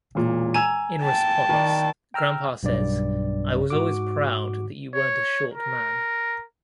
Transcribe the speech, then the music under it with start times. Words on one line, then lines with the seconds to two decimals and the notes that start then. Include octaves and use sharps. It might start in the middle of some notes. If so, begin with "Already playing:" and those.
In response, Grampa says, I was always proud that you weren't a short man.
0.15 E1 A#2
0.54 G#5 A#5 E6 G#6 E7
1.03 G5 A5
1.49 D#3 D5
2.14 G5 A#5 E6 F6
2.63 B1 G2 D5
3.70 G#2 F#4 D6
4.94 C#5
5.53 A#4